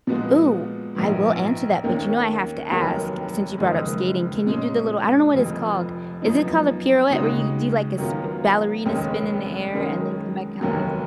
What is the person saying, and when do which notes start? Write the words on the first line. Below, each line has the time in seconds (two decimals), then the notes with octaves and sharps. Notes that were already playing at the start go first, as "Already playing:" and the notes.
Ooh, I will answer that, but you know I have to ask, since you brought up skating, can you do the little I don't know what it's called, is it called a pirouette where you could do, like, a sp ballerina spin in the air and then come back on the ice?
0.07 A#2 F3 G#3 B3 F#4
0.95 A#1 G#2 F3 B3
1.83 D#2 D#3 A#3 C#4
2.71 F1 D#2 D#3 F#3
3.58 F#1 F2 D#3 G#3
4.46 A#2 G#3 C#4
5.34 F1 F2 F3
6.22 F#2 F3 B3 D#4
7.10 D#2 C#3 G#3 D#4 F#4
7.98 F#2 D#3 F#3 B3 F4
8.85 F1 D#2 D#3 G#3 C#4
9.73 F#2 D#3 G#3 C#4
10.61 F1 D#2 D#3 F#3